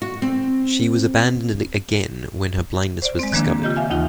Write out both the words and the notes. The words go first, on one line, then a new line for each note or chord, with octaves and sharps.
She was abandoned again when her blindness was discovered.
F#4
C4
C5 D5
G#3 C4
D#3 F3 G#3 A#3 D4
C#3 F4 G4 D#5 G6
E5 F5 G#5 F6
D#2 E3 D#4 F4 D#5